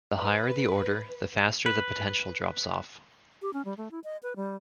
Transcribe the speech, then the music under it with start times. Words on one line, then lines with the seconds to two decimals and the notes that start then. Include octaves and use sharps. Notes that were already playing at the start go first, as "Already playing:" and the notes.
The higher the order, the faster the potential drops off.
0.18 B4
1.66 B4
3.42 G4
3.53 C#4
3.65 G3
3.77 A3
3.91 E4
4.04 D#5
4.23 B4
4.36 G3